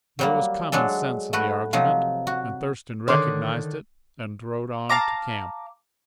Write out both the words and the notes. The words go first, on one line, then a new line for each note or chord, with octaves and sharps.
There was common sense in the argument, and Thurston recognized it and rode on to camp.
F#3 G3 A#3
F#3 G#3 D4 A4
A3 F#4 B4
C3 F3 F#3 D#4
F#4
D3 D#3 C#5 C6 D6
F5 A5 A#5 D6